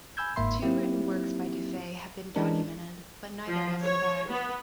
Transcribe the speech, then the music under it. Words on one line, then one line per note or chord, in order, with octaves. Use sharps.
Two written works by Du Fay have been documented, but neither has survived.
G#5 B5 E6 G6 G#6
G1 G#2 A#3 E5 B5 C6
F#3 A#3 C4 D#4 E4 G4
E3 G#3 C#4 D4 A#4
F3
C#5
B3